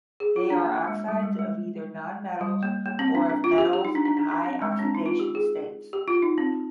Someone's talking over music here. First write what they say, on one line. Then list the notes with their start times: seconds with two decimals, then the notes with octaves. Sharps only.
They are oxides of either nonmetals or of metals in high oxidation states.
0.20 G#4
0.36 F4
0.50 D4
0.65 A#3
0.87 G#3
1.08 G3
1.23 G#3
1.39 G#3
2.41 G3
2.63 A#3
2.86 A#3
2.99 C4
3.15 D4
3.30 D4
3.44 F4
3.58 G4
3.73 G4
3.85 D#4
3.95 D4
4.05 D4
4.17 D4
4.31 D4
4.46 C4
4.62 G#3
4.72 G#3
4.79 C4
4.82 D4
4.95 D#4
5.06 F4
5.20 G4
5.35 G#4
5.93 G4
6.08 F4
6.22 D#4
6.38 C4